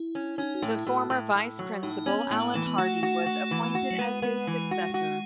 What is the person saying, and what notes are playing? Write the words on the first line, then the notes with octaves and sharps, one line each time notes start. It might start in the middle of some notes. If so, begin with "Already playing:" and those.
The former Vice-Principal, Allan Hardy, was appointed as his successor.
Already playing: E4
C#4
C#4 D#4
F#4
A2 E4
A2 F#4
A2
A2
F#3
A2 D#4
B3 C#4
A2 B3
E3 A3
B3
A3 F#4
F#4
F#4
E3
F#4
F#3
G#3 B3
B3
E3
F#4
F#4